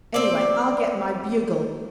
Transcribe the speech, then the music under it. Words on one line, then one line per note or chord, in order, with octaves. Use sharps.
Anyway, I'll get my bugle.
C4 D5